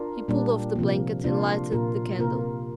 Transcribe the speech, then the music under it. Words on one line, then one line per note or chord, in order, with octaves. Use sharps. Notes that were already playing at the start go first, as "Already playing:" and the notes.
He pulled off the blanket and lighted the candle.
Already playing: D4 F4 A#4
A#2 G3 A#3 D4
C3 F3 A#3
C3 A#3 D4 F4
A#2 A#3 F4 A#4
C3 A#3 F4 A#4